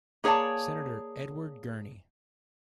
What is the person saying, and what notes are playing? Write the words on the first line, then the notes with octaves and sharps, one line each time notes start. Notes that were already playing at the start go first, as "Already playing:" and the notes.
Senator Edward Gurney.
A#3 G#4 C#5 D5 A5